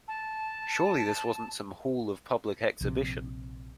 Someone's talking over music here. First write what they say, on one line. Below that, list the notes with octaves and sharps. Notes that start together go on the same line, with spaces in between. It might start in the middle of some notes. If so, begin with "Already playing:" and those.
Surely this wasn’t some hall of public exhibition!
A5
A#1 C3